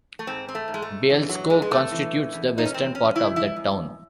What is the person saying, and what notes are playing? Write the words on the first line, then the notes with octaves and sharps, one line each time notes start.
Bielsko constitutes the western part of that town.
A3
G#2 C4
C4
A3
G#2
G#3
A3
E3
F#3
E3 G#3
G#3
A3
E3
E2
D#4
C#4
E2 C4
C#4
C#3 E4
E4
F#2